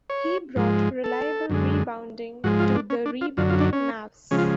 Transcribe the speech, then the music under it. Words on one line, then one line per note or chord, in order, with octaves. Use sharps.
He brought reliable rebounding to the rebuilding Mavs.
C#5
G#2 F3 G#3
A4
F#2 D3 G#3
G#2 F3 G#3 F#4
F4
D4
C#4
D4
F4
F#2 D3 F#3 F4
F4
D4
C#4
C#3 F3 G#3 C#4
F4